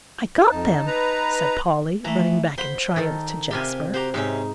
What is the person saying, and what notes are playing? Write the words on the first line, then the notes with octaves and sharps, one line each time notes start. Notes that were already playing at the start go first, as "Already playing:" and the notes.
"I got them," said Polly, running back in triumph to Jasper.
F2 D#4 A5
B4 A#5
E3 A3 A#5
C5 F#5 B5 C6
D#3 D#4 A4
C3 F4 G4 E5 G#5
F#4 G4 C5 A#5
G#2 C3 C#4 D#4 E5